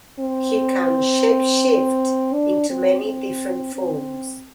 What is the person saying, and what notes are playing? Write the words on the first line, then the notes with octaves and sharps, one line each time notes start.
He can shapeshift into many different forms.
C4
D4
C4
C4
C4